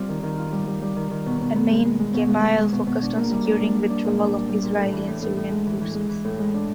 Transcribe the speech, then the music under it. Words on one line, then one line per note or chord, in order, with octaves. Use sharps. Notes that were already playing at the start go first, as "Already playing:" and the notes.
Amine Gemayel focused on securing the withdrawal of Israeli and Syrian forces.
Already playing: G3 C4 F4
D#3
D#3
F4
G3
G3
G3
D#3
D#3
B2
B2
B3
G#3
G#3
G#3
B2
G#3
B2
G#3
B2
B2
D4
A#3
G3
D4
G3
G3
D4
A#2
D4
G3
G3
A#2
A2
E3
A2
A2
A2
G#3
E3
E3
G#3
E3
A2
G#3
D4